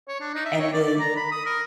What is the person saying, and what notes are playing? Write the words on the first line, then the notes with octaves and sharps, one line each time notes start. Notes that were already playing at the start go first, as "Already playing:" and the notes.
and the
C#5
D4
D#4
E5
C#5
D5
D5
A#5
B5
D#6
A#4